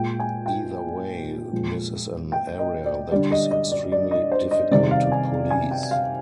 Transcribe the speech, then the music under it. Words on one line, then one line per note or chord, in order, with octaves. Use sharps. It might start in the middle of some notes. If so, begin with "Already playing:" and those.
Either way, this is an area that is extremely difficult to police.
Already playing: A#2 G#3 G5
G#5
G5
A#2 F3 G#3
G5
D#5
D5
D3 G3 D5
D#5
D#5
D5
D5
D#5
C5
D#5
C3 D#3 G3 D5
F5
G#5
G#5
G5
F5